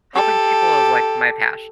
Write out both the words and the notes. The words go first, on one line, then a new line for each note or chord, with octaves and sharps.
helping people is, like, my passion,
G4 A4